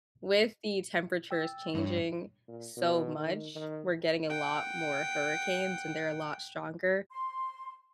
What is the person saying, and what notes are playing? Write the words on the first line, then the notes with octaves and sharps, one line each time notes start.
with the temperatures changing so much, we're getting a lot more hurricanes, and they're a lot stronger,
G5 E6 A6
G2 D4 C#5
A#2
B2
D#3
D#3
F#5 G5
C6